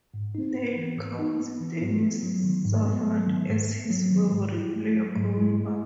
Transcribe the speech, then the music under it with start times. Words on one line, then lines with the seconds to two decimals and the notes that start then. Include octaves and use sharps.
Neil counts Denis Savard as his favourite player growing up.
0.14 G#2
0.35 D#4
0.55 B3
0.77 E3
0.98 G#2
1.19 D#4
1.40 B3
1.60 E3
1.81 G#2
2.02 B3
2.23 F#3
2.44 D#3
2.65 G#2
2.85 B3
3.07 F#3
3.27 D#3
3.49 G#2
3.70 B3
3.90 F#3
4.11 D#3
4.32 G#2
4.53 E4
4.74 A3
4.95 F#3
5.16 G#2
5.37 E4
5.57 A3